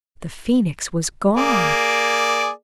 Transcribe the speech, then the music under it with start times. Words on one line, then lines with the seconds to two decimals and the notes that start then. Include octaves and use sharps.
The Phoenix was gone.
1.37 A#3 G#4 D5